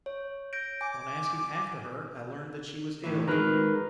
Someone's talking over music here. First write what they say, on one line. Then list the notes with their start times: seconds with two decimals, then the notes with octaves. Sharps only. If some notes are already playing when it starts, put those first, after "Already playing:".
On asking after her I learned that she was ill.
0.06 C#5
0.53 G6 A#6 D7
0.81 G#5 D6
3.04 A2 E3
3.27 D#3 G#3 A#4 B4 A#5